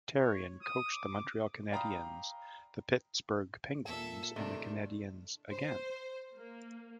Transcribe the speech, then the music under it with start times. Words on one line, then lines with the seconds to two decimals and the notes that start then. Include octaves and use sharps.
Therrien coached the Montreal Canadiens, the Pittsburgh Penguins and the Canadiens again.
0.18 C#5
0.62 D#6
0.91 D6
1.72 D5 F5 G5 A#5 B5 D#6
3.86 A#2 A4 E5
4.36 A2 C3 D#3 A3 D4
5.51 C5
6.36 A#3